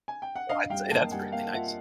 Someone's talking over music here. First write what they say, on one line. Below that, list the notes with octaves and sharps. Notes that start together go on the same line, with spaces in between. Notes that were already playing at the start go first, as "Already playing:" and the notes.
Well, I'd say that's really nice.
G#5
G5
F#5
D4 D#5 F5
G3 F5 G5
A#3 G5 A5
G3 F#5 G#5
A#3 F5 G5
F4 E5 F#5